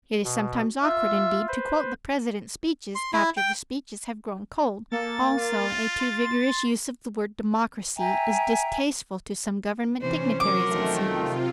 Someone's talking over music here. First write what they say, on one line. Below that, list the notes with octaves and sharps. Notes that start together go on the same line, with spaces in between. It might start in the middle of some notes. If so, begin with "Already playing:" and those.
It is sometimes awkward indeed to quote the President's speeches after the speeches have "grown cold." Also a too vigorous use of the word "democracy" is distasteful to some government dignitaries, it seems.
B2
F4 E5
B4 C5
C6
E4
G5
A#3 A4 A6
F4
C6
E5 G5 G#5 A#5
C3 E3 C#4 C5
F#3 A#4 C6 D6
F2 D#3 A3 G5
C3 F4